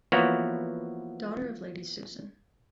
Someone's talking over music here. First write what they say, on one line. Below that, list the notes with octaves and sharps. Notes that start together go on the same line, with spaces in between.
Daughter of Lady Susan.
E3 F3 A#3 B3 F#4 C#5